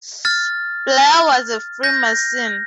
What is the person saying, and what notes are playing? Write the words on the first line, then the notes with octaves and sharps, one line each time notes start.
Blair was a Freemason.
F6 A6
G6 A#6